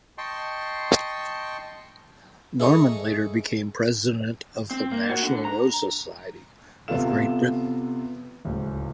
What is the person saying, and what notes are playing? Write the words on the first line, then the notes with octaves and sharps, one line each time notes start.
Norman later became president of the National Rose Society of Great Britain.
D#5 G5 A5 C6 C#6
E4 G#4 A4 C#5 D#5
C4
A#3
F#4
D3
A#5
C3 B3 F4 A4 F5 E7
D1 C#2